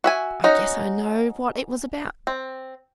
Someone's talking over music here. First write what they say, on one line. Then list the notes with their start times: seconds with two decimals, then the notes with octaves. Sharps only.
'I guess I know what it was about.'
0.04 F#4 E5 G#5
0.44 C#4 D#4 F#4
2.27 C4